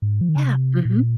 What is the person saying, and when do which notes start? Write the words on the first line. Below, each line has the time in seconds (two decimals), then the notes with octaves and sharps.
Yeah. Mhm.
0.02 G#2
0.21 F3
0.29 D#3
0.36 C#3
0.44 C3
0.85 A#2